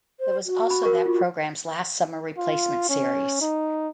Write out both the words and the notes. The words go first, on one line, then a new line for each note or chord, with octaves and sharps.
It was also that program's last summer replacement series.
C5
F#4
B5
A#4 C#6
F4
F4
C#4
D#4